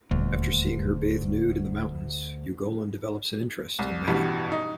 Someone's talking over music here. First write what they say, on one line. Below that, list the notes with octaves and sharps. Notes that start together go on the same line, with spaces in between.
After seeing her bathe nude in the mountains, Ugolin develops an interest in Manon.
D#1 D2
C2
A1 G2 B2 E3 G3
D#4